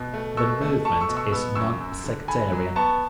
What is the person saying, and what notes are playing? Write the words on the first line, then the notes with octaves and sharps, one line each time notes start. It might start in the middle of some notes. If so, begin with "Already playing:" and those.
The movement is non-sectarian.
Already playing: B2
A3
B2 C#6 E6
A3
A3 A5 C#6
C#6 E6
B2
C#6 E6
B3 E6
F#2 C#6 E6
F#2
D3
D3 G#5 B5
F#3
B3 A5 C#6